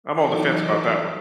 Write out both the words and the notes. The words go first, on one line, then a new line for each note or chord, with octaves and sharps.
I'm on the fence about that one.
E3 F#3 D#4 A4 D6